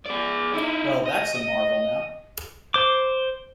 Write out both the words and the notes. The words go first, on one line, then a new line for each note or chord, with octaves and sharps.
Well, that’s a marvel, now!
G#4 D5
D#4 E4
D#5
D#5
C5 D6